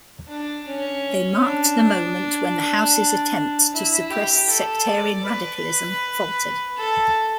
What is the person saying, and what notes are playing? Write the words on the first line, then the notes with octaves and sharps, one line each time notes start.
They marked the moment when the house's attempts to suppress sectarian radicalism faltered.
D4
C#4
D4
E4
G4
A4
D5
B4
A4